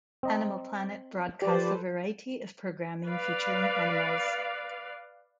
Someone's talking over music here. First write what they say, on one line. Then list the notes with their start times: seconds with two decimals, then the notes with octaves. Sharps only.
Animal Planet broadcasts a variety of programming featuring animals.
0.23 C4 D#5 A#5
1.42 F3 G4 A4 B4 C5 D5
3.05 B4 D5 F5